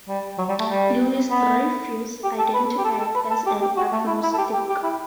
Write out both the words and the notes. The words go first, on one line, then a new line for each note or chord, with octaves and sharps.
Louis-Dreyfus identified as an agnostic.
G3
F#3
G3
A3
G3
B3
G4
A4
B4
G4
A4
A4
B4
A4
G4
G4
F#4
A3
E4
E4
A4
G4
G4
G4
E4